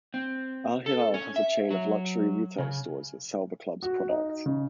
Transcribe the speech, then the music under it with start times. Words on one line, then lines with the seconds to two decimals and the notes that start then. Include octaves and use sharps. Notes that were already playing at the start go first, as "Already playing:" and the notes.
Al-Hilal has a chain of luxury retail stores that sell the club's products.
0.14 C4
0.86 A4
1.14 C#4
1.36 E5
1.71 F#3
2.58 C#3
3.83 F#4
4.09 D#4
4.46 C#3